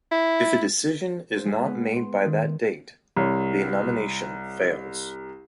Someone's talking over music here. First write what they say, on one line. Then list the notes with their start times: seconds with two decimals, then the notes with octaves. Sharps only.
If a decision is not made by that date, the nomination fails.
0.12 E4
1.31 C5
1.45 G#3
1.66 B3
1.93 C6
2.25 D#3
3.16 C2 C#5